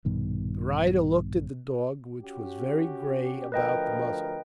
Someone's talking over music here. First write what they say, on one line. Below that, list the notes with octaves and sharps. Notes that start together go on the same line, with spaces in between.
The rider looked at the dog, which was very grey about the muzzle.
A#1 G2 B2 D#3
C#4 F#4 G4
D2 F3 A#4 B4 D#5 G5